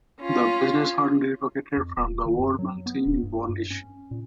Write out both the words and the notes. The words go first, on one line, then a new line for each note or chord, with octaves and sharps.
The business had relocated from the old manse in Bornish.
C#4 F4
F2
D#1
D#3
F#2
F#3
B3
D#1
G2
G2
C#4
A#2